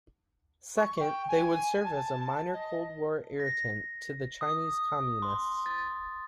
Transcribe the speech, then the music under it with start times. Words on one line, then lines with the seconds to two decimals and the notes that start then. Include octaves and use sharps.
Second, they would serve as a minor Cold War irritant to the Chinese Communists.
0.77 C#6
1.00 G5
1.28 G#5
1.85 A5
2.53 D#5
3.40 A#6
4.41 D#6
5.22 C6
5.66 A6